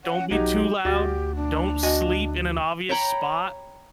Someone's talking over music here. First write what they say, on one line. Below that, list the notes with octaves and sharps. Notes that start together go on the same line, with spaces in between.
Don't be too loud. Don't sleep in an obvious spot.
C#4 F#5
B1 F#3 D#4 G4
D2 F#4 G4 D5
D4
F#4 D#5 G#5
C#5 G5 A#5 B5